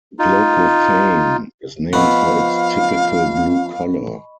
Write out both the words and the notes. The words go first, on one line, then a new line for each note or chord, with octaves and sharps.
Glaucophane is named for its typical blue color.
D#4 F4
F3 B3 C4 D#5 F5 B5 C#6